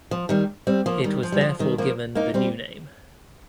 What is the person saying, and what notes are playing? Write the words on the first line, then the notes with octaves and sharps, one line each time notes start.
It was therefore given the new name.
F3
D#3 G3
G3 C4
F3 A#3
D#3 G3
F3
G3
F3
D#3 G3
F3 A#3
A#3 D#4
G3 C4